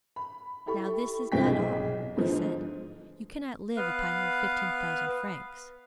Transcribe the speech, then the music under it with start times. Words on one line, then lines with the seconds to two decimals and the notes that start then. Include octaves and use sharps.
"Now this is not all," he said; "you cannot live upon your fifteen thousand francs."
0.16 B5
0.66 E4 G4 A4 B5 C#6
1.32 C2 G2 F3 G5 B6
1.46 B1 E4 G#4
2.17 G#2 D3 E3 F3
3.77 B3 B4 F5